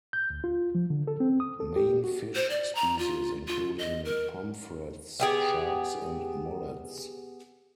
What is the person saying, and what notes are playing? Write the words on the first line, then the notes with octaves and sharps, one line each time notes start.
Main fish species including pomfrets, sharks and mullets.
G6
D2
F4
F3
D3
A4
C4
D#6
A4
G4
F#4
C5
D5
A#5
F4
F4
D#5
A#4
B3 G4 G#4